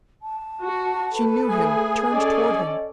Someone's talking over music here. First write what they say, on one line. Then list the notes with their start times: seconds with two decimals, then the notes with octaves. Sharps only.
She knew him, turned toward him.
0.22 A5
0.64 F#4
1.13 A4 B4
1.49 A3 G#4 G#5
2.11 C#4 A4 D5 D#5